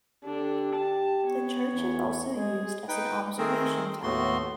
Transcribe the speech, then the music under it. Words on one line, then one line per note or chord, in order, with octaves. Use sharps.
The church is also used as an observation tower.
D3 D4 G4
A5
B3 C#5
E2
G#3 G#4
D#4 B4 G5
D#3 A3 C4 G#4 A#4 C5
D#2 A2 A3 B3 F#4 C6